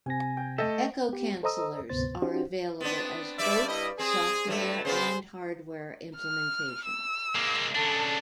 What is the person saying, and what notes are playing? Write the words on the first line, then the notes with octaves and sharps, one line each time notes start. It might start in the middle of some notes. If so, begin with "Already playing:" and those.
Echo cancelers are available as both software and hardware implementations.
C3 C4 G#5 A#6
G5
A3 A4 D#5 E5 G5
B3 G4
A4 C5 D#5 A#5 D#6 E6
D2 G#2 C3 B3 C5 A6
C#4 D#4 F#4 G4 C5
B3 C4 D4
G2 G3 D5 E5
E4 D#5
C4 G#4
G2 F#3 A3
C#3 B3 C4 G#4 C5
F6
E6
G#3 A#3
C#3 D4 A4